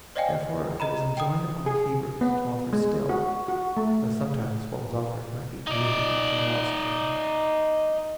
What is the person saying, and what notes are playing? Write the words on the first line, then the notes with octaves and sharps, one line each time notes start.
Therefore it was enjoined upon the Hebrews To offer still, though sometimes what was offered Might be commuted, as thou ought'st to know.
C5 D5 D#5 F5 G5 G#5
D#5 A#5 B5
G5 D#6
G#4
B3
G#3
F#4
F#4
A3
D#4 D5